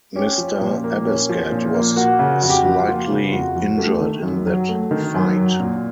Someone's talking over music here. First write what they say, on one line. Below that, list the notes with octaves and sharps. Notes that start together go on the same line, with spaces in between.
Mr. Abescat was slightly injured in that fight.
C#4 G4
F3
A#2
A#3
C#4
F3
A#2
A#3
A#3 F#4
C#3
F2 F#4
G4
F#4
F3
A#3 F4
C#3
F2 F#4
F3
A3 G4
D#3
F#2
F#3
A3
D#3
F#2
F#3
A#2